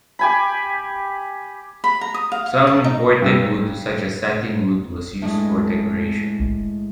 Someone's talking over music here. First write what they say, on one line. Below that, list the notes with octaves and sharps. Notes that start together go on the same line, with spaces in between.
Some imported wood such as satinwood was used for decoration.
G4 G#5 B5
B5
A#5
D#6
F5
F5
A5
D#4
G2 E6
A2 G#3